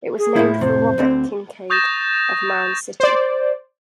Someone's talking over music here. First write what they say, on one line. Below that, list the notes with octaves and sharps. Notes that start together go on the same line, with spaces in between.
It was named for Robert Kincaid, of Mound City.
G#4
A2 F3 E4
F2 A2 C3 C5
D2 D3 C4
C#6 D#6 G6 A6 A#6 E7
C5 D5